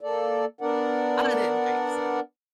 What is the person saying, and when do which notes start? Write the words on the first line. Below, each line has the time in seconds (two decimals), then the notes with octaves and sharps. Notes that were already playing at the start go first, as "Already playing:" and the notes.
I didn't think so.
0.01 A#3 A4 D5
0.61 B3 D4 A#4 D5 F#5